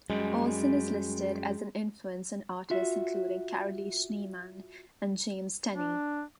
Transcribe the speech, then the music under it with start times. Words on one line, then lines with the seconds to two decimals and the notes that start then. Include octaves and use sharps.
Olson is listed as an influence on artists including Carolee Schneemann and James Tenney.
0.10 F#2 G3 G#3
2.70 F4 F#4 E5
5.73 D4